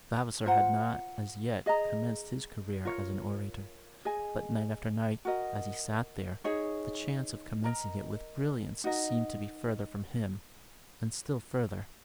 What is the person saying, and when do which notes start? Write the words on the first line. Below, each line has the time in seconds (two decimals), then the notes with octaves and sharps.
Vavasor had not as yet commenced his career as an orator; but night after night, as he sat there, the chance of commencing it with brilliance seemed to be further from him, and still further.
0.46 F4 C5 F#5 A#5
1.66 G#4 D#5 A#5
2.85 F4 A#4 C#5
4.05 G#4 D#5 G#5
5.25 F#4 A#4 D#5
6.44 D#4 G#4 C#5
7.64 A#4 D#5 A#5
8.84 D#4 F#4 A#4 D#5